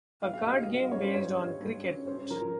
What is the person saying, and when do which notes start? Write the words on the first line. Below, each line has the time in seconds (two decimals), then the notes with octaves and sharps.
A card game based on cricket.
0.22 G2 F5
0.34 F5
0.46 G3 D#5
0.57 F5
0.68 G2 F5
0.80 D#5
0.91 C#4 C#5
1.03 C5
1.14 G2 C#5
1.38 G3
1.61 G2
1.85 C#4
2.07 C#4 C5
2.30 F3 A#4